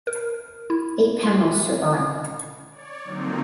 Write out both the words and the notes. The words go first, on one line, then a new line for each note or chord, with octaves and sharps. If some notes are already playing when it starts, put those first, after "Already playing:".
Eight panels survive.
A#4
E4
C6
C#5 D5
D3 F3 F#3 A#3 C4 D#4